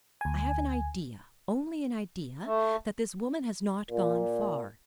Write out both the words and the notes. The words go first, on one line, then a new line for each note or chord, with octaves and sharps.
I have an idea--only an idea--that this woman has not gone far.
D2 G#5
A3
A#2